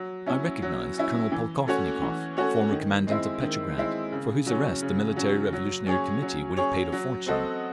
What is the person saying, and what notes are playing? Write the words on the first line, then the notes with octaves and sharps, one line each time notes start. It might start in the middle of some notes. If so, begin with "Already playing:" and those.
I recognised Colonel Polkovnikov, former commandant of Petrograd, for whose arrest the Military Revolutionary Committee would have paid a fortune.
Already playing: F#3
C#4 E4
F#3
C#4 E4
E3
A3 C#4 F#4 C#5
E3
A3 C#4 F#4 C#5
D#3
G#3 C4 E4
D#3
G#3 C4 E4
C#3
F#3 C#4
C#3
F#3 C#4
F#3
C#4 G#4 C#5
F#3
C#4 G#4 C#5
F#3
C4 F#4 A4 D#5